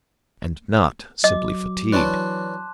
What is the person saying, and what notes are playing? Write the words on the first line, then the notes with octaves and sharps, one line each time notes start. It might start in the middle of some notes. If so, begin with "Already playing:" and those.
And not simply fatigued!
F#3 D#5 D6
E3 C#4 D4 A5 C6 F#6